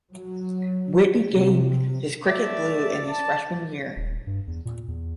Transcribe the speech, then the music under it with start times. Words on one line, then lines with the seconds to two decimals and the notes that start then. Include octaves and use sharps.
Whitby gained his cricket blue in his freshman year.
0.12 F#3
1.30 C3
2.25 A3 D5 E5
3.10 A5
3.96 D#1
4.27 G2
4.47 E2
4.65 A#2
4.88 E2